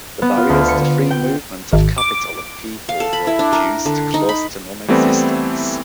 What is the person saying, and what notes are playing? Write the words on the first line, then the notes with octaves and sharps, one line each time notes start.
The barriers to free movement of capital and people were reduced close to nonexistence.
B3
F4
D2
C#7
G5
G#1
D6
F5
A4
B5
E4
D4
A#4
D3
D#4
B5
E3 G3 A3 B3 C4 E4